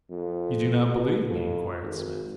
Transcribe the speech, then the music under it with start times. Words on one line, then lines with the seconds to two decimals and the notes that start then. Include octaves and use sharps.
"You do not believe me?" inquired Smith.
0.10 F2
0.90 B2
1.28 F2
1.83 G#1